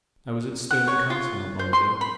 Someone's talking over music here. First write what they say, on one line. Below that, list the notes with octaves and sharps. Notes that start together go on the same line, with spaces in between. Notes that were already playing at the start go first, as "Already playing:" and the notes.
I was at Stirling Castle not long ago.
F#5
C#5
F4
C5
C6
B5